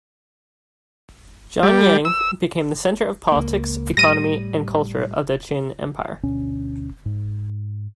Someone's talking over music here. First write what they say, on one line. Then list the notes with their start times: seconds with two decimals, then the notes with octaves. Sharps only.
Xianyang became the centre of politics, economy and culture of the Qin empire.
1.63 G3
2.05 E6
3.32 C#2 A#3
3.97 A2 G3 A#6 D#7
6.23 D2 B2 C#4
7.06 G#2